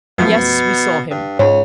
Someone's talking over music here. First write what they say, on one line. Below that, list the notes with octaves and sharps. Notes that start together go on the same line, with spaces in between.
Yes, we saw him.
F#2 B2 F3 A3
G2
C#2 G#2 C#5